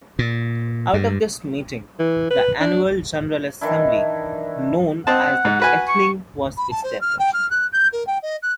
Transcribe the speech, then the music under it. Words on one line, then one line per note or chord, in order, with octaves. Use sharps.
Out of this meeting, the annual general assembly known as the Althing was established.
A#2
G2
E3
B4
D4
D#3 E3 D4 E4
C4 D#5 F#5 A5
G#2
F#4 B4 G#5
C#6
B5
A5
C5
F6
G5
F6
F#6
G6
A#4
G5
D#5
F#6